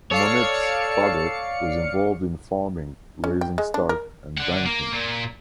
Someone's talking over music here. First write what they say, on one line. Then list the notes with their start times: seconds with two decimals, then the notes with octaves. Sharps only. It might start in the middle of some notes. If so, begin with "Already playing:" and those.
Monnette's father was involved in farming, raising stock, and banking.
0.12 A4 C#5 D5 F5 C#7
3.24 C#4
3.41 G5
3.58 G#3
3.74 D4
3.89 A#4
4.37 D4 F#5
4.66 A#3
4.93 A#2